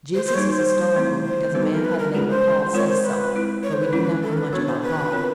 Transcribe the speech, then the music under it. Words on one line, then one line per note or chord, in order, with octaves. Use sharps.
Jesus is historical because a man by the name of Paul says so, though we do not know much about Paul.
C5
C5
G3 A#3 D#4 C#5
C5
E3 A3 C4 E4
C5
G3 B3 D#4 F#4 B4
A4
A#4
B4
A#4
G#3 C#4 F4 G#4 B4
C5
G#3 C4 F4 A#4 C#5
C5
B4
G#3 C4 E4
C#5
C5
B4
D#3 G#3 C#4 E4
A4
A#4
B4
B3 D4 F#4 C#5
C5
B4
C4 F4 A#4 C#5